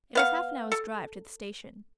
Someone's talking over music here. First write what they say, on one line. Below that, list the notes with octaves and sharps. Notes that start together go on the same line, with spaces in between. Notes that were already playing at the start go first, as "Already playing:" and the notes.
It was half-an-hour's drive to the station.
B3 F5 F#5
A4